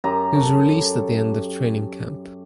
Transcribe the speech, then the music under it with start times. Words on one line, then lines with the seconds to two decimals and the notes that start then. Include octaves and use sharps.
He was released at the end of training camp.
0.04 F#2 G4 A#5
0.35 A4 C#5